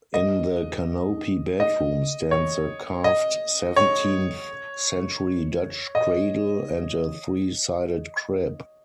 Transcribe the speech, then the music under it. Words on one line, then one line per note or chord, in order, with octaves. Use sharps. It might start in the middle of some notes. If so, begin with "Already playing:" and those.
In the canopy bedroom stands a carved seventeenth-century Dutch cradle and a three-sided crib.
D#5
D#5
C#5
D#5
C#5
D#5